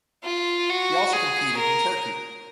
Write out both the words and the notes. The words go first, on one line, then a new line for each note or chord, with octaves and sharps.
He also competed in Turkey.
F4
F#4
G#4
A#4